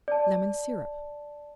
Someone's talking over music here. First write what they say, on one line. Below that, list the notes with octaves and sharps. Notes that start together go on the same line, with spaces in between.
Lemon Syrup.
D5 A5